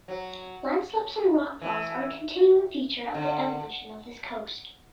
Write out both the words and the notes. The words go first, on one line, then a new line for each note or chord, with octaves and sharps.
Landslips and rockfalls are a continuing feature of the evolution of this coast.
F#3
E3
D3